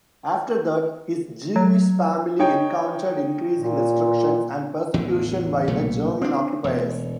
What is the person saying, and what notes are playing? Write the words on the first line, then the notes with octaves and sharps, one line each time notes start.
After that, his Jewish family encountered increasing restrictions and persecution by the German occupiers.
F#3
D#4 C#5 G5
A#2
A1 E2 D3
B1 A#2 C#3 A3
C4 D4
E1